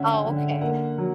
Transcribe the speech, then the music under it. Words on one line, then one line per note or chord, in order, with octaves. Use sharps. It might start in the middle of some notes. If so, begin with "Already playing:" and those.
Oh, okay.
Already playing: D3 C#4 E5 F#5
G5
D3
F#5
A#3 F#5
F#3